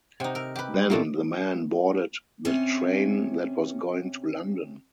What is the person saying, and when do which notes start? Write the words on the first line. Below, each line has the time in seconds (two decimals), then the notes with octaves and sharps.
Then, the man boarded the train that was going to London.
0.20 C3 D#4 F#5 G5
0.35 A#4 E6
0.56 G4 B4
0.74 G3
0.90 A#2 A3 A#3 C4 F4
2.45 C3 C#4